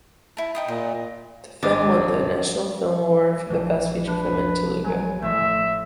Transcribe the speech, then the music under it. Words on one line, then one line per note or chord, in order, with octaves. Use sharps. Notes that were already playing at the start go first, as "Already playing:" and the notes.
The film won the National Film Award for Best Feature Film in Telugu.
E4 A5
D#4 G5 D#6
A#2 D#5
G#1 D4 D#5
A#1 E3
D4 B4
F#3 G#5
A1 A3 E5